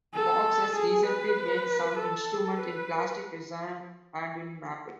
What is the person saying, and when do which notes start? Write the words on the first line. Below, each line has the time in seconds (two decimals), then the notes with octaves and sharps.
Fox has recently made some instruments in plastic resin and in maple.
0.14 A4
0.76 G#4
1.07 B4
1.99 A4
2.60 B4